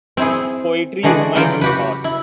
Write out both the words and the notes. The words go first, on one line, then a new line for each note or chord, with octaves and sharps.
Poetry is my good horse.
C4 E4 G#4
D3 E3 G#3 F#4 G#4 D5
C#3 E3 F#3 F4 G5
F#4 G4 B4
E4